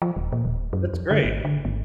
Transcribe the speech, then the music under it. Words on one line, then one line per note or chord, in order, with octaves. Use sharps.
That's great.
F3
D#1
A#2
D#1
F#2
F2
D3
G#1
D3
G#1